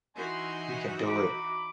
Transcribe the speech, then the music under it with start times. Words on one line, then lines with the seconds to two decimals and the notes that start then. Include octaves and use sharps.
You can do it.
0.16 E3 D#4 F#4 G#5 C6
1.06 A#5 B5 D6